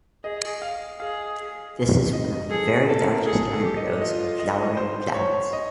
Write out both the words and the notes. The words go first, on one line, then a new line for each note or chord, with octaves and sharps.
This is one of the very largest embryos in flowering plants.
G#4 D#5
F5
G#4 F5
D#5
G#4 A4
A4
A#4
G#4 A4
A4
G4
D#5
F4 D#5
D#5
C5
C#5
D#5